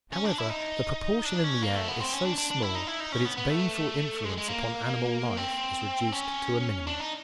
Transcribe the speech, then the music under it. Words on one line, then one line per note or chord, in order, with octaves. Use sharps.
However, the proportion in the air is so small that its baneful influence upon animal life is reduced to a minimum.
C#4
D4
E4
D#4
D4
C#4
A#3
A3
B3
C4
C#4
D4
D4
D4
E4
D#4
E4
D#4
C#4
B3
B3
A3
G#3
G#3
A#3
C4
C#4
D4
D#4